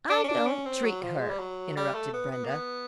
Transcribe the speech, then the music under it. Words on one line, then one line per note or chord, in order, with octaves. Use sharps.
"I don't treat her," interrupted Brenda.
D4
C#4
D4
C#4
C4
F#3
F3
G#3
G3
F#3
G3
A3
B3
B3
A#3
B3